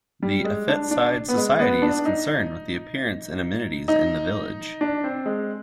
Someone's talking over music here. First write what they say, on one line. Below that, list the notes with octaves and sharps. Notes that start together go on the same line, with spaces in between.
The Affetside Society is concerned with the appearance and amenities in the village.
G3
G#3
D4
D4
B3
G#3
B3
D4
D#4
D#4
D4
C4
G#3